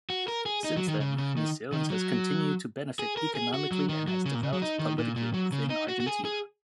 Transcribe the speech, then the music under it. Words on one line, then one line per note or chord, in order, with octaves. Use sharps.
Since then, Misiones has continued to benefit economically and has developed politically within Argentina.
F#4
A#4
G#4
D#4
F#3
D#3
C#3
C#3
D#3
D#3
F#3
G#4
A#4
G#4
F#4
F#3
D#3
F#3
C#3
A#2
C#3
F#3
D#4
D#3
A#2
A#2
F#3
C#3
D#4
F#4
F#4
G#4
G#4